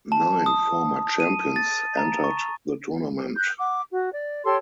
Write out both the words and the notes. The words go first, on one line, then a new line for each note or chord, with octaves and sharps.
Nine former champions entered the tournament.
A5
D#6
D#7
A6
A#5
C#6
F#6 G6
F#5 D6
F#4
D5
G4 A4 C#5 C6